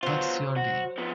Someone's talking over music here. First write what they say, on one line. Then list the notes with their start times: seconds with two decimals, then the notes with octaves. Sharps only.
What’s your game?
0.03 F#3 B3 F4 C5
0.57 F#4
0.98 F3 B3